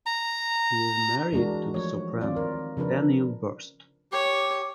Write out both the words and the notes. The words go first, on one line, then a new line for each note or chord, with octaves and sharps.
He is married to the soprano Danielle Borst.
A#5
E3 G#3 D4 F#4 A#4
F3 A3 C#5
D#3 C4 F4 D5
A#4
C#3 F3 D4 A#4 B4
G4 C#5